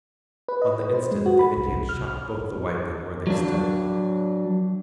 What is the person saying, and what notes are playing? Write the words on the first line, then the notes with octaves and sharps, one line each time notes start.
On the instant the Indians shot both the white men where they stood.
B4
D#5
B4
C5
G#3
F#4
B5
C2
C2
F6
F#3 D4